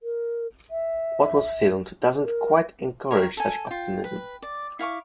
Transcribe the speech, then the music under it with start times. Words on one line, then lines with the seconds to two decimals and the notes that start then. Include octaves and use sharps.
What was filmed doesn't quite encourage such optimism.
0.02 A#4
0.70 E5
2.24 A#4
3.11 G4 A#4 C#5
3.37 A4 G#5
3.67 F4 G5
4.04 B4
4.42 D5
4.79 E4 F5 C#6 D6